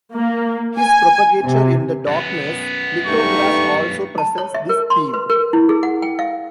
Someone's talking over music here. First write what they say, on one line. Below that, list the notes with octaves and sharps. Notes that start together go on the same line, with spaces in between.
His "Propagator in the Darkness" lithograph also presents this theme.
A#3
G#5
C3
F#2 B3
G2 A3 D#4 C#6
A5
C#5
E5
A#4
C6
B4
A#4
E4
G#4
F#5
G5
F5